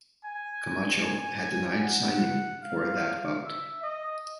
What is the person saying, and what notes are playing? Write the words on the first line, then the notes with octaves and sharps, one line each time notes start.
Camacho had denied signing for that bout.
G#5
G#5
F#5
F5
E5
D#5